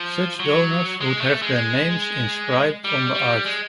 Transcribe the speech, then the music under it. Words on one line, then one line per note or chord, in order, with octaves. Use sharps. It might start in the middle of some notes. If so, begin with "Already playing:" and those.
Such donors would have their names inscribed on the arch.
Already playing: F3
F#3
G#3
A3
G#3
G3
G3
G#3